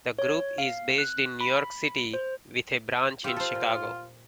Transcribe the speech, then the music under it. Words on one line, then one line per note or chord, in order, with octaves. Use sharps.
The group is based in New York City with a branch in Chicago.
C#5
F5
F#6
B5
C5
F4 G4 E5
A4 C5
A#2